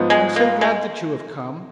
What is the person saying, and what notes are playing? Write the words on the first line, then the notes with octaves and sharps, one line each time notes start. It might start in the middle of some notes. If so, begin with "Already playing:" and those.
'I am so glad that you have come.'
Already playing: G#2 F3 B3
G#3
A#3
G#3